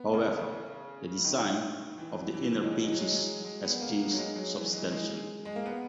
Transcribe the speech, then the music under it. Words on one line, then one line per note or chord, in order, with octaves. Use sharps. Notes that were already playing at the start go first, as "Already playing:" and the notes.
However, the design of the inner pages has changed substantially.
Already playing: B3
C#3
D#3
E3
E3
F#3
G#3
F#3
G#3
F#3
G#3
F#3
G#3
B3
A#3
F#3
G#3
F#3
E3
G#3
G#3
G#3
A#3
B3